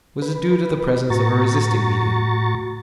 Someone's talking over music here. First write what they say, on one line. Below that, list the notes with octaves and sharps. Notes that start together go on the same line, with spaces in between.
Was it due to the presence of a resisting medium?
B4
A2 F#4 A#5 C#6 A6